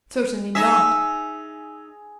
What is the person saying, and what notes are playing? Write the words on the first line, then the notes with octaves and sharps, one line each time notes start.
Certainly not.
D#4 G#4 E5